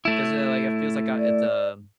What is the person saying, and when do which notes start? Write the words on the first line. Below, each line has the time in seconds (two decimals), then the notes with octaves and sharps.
'cause, eh, like, it feels like, uh it's um
0.05 A3 E4
1.18 D5